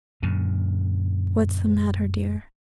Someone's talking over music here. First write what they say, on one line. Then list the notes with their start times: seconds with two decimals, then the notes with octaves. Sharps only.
"What is the matter, dear?"
0.23 F#2 A#2 D3